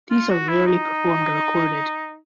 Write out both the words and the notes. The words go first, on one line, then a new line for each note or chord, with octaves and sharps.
These are rarely performed or recorded.
F4
F#4
E4
D#4